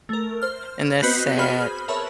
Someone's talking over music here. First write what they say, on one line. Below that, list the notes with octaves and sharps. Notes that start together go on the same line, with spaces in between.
and that's sad.
A3 A#4
C5 F6
B3 C4 F#4 B4 C5 D#5
F#4 G#4 B4 C5 B5 F6
A#4 B4 C#5 E5 A5 B5